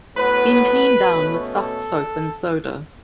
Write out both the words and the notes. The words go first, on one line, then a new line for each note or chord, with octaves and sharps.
Been cleaned down with soft soap and soda.
A2 F#3 B3 B4
B2 A3 C#4
A4